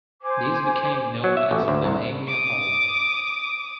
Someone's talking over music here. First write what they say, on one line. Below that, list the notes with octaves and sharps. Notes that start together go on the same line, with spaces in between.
This became known as the "Bohemia Hall".
C5 G#5 D6
F#3
E5
A1
D2
C2
D6 D#6